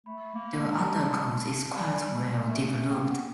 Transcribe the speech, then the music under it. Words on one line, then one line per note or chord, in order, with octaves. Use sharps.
The undercoat is quite well developed.
A3 B5
A#3
G#3 A5
A#5
A5
G3 G#5
G3
G#3
G#3
A3
A#3
A3
A#3 G5
B3